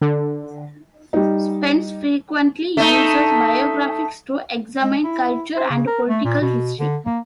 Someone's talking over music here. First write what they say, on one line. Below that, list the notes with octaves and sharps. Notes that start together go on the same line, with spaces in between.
Spence frequently uses biographies to examine cultural and political history.
D3
G3 D#4
A3 D#4
G#3
E4
C5
C#3
A#4
A3
A#2
B2
D3
A#3